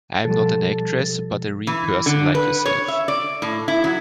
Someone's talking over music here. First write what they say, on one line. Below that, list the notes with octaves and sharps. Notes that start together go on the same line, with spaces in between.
I am not an actress, but a real person like yourself.
B2 F3 G3 A4
E3
D3
B4
C#5
E5
D5
A2
E4
F#3